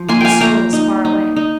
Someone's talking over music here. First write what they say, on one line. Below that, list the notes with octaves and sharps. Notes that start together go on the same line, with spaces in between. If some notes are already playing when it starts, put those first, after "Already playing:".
His soul is far away.
Already playing: F3
A#3 G#5 C6
F5 G5 G#5
A#3 G5 A#5
D#4
D#4
D#4